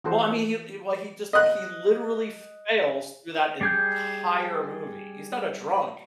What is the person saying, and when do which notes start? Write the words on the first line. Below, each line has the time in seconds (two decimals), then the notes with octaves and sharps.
Well, I mean, he l he well, he just he literally fails through that entire movie. He's not a drunk,
0.04 E3 F3 F#4 A4 C5
1.33 D#5 F#6
3.61 G3 G#4 G6